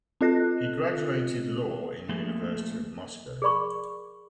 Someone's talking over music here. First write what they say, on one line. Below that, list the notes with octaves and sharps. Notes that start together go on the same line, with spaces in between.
He graduated law in university of Moscow.
C4 F4 A4 D#5 F#6 A#6
F3 A3 A#3 G#4
G#4 A#4 D5 B5 C#6